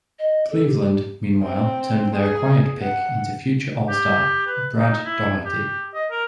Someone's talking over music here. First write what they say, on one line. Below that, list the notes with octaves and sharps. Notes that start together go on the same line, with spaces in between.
Cleveland, meanwhile, turned their acquired pick into future All-Star Brad Daugherty.
D#5
A4
G4
C4
G#4
F#5
G4
B4
D#4
E4
G4
D#5
A#4